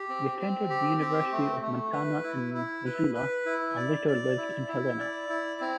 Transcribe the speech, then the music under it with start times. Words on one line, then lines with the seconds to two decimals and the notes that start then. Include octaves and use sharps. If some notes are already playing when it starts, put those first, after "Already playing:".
He attended the University of Montana in Missoula and later lived in Helena.
Already playing: G4
0.09 C4
0.39 C4
0.70 G4
1.01 C4
1.32 A3
1.62 A3
1.93 B4
2.24 E4
2.54 E4
2.85 B4
3.15 B4
3.46 E4
3.76 D5
4.08 D5
4.38 E4
4.68 E4
5.00 D5
5.30 E4
5.61 C4